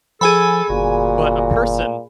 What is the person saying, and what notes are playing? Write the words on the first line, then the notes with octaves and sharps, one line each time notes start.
but a person
F3 G#4 A4 G#5 B5
G1 A#2 F#4